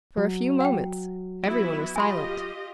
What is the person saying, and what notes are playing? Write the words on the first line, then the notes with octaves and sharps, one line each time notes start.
For a few moments every one was silent.
F#3
F#5 G5
B3 E4 F#4 D7
F4 G4 D#5 G#5 B5 C6